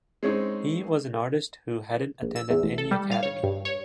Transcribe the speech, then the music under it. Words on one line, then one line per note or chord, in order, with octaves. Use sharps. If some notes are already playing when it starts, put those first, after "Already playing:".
He was an artist who hadn’t attended any academy.
G#3 C4 C#4 D#4
A#1
E6
E2
A1
A4
G3
F5
C#5
G2
C#5